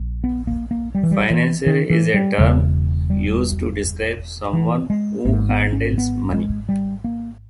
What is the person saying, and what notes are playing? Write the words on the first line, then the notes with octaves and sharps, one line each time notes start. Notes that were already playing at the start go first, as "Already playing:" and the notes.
Financier is a term used to describe someone who handles money.
Already playing: A#1
B3
A#3
A#3
G3
E3
G3
E3
D#3
E3
G3
E1 E2 C#3 G#3
G3
E3
G#3
G#1 G#2 A#3
B3
C#4
B3
G#3
G3
A#3